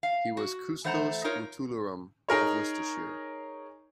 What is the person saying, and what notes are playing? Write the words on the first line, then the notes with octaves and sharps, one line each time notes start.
He was "Custos Rotulorum" of Worcestershire.
F5
F#4
E3 A3 C5 F#5 A5 A#5
D#4 F4 A#4 C#5
D#4 G#4 A#4 C#5